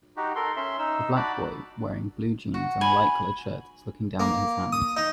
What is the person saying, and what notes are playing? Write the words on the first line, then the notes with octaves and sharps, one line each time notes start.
A black boy wearing blue jeans and a light colored shirt is looking down at his hands.
D#4 F#4 G4
A4 A#4 C6
C#4 E5 C6
D#4 E6
F#4 D5 A5 B5
F#4
G#5 B5
A#3
D#6
D#4